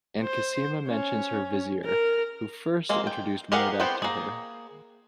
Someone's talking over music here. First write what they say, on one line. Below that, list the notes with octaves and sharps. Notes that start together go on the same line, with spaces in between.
And Cassima mentions her Vizier, who first introduced Mordack to her.
C5
C#4
A#4
G#3 A#3 C4
G5
G4 G#4 A#4 F5 F#5
B3 C4 C5 G5
A#3 G#4